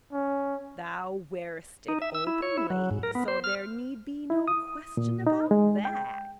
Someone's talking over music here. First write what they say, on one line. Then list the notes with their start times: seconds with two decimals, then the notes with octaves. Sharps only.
Thou wearest it openly, so there need be no question about that.
0.13 C#4
1.88 D#4
2.02 E5
2.14 E6
2.27 E4
2.42 C#5
2.58 E4
2.70 F#3
2.91 G#2
3.03 A#4
3.15 B3
3.28 C5
3.44 F6
4.30 E4
4.48 D#6
4.97 A#2
5.27 D#4
5.51 G#3
5.85 G5